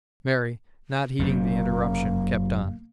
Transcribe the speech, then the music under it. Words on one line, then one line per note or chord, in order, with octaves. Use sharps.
Mary, not heeding the interruption, kept on.
F#1 F#2 C3 A#3